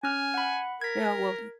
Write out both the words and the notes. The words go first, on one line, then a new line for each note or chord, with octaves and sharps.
Yeah, well,
C#4 G#5 F6
F#5 B5
A#4 G#6 B6